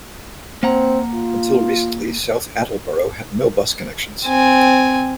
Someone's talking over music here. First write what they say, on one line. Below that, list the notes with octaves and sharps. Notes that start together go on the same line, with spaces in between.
Until recently, South Attleboro had no bus connections.
A#3 C4 F#5 A#5
F4
C4 G#5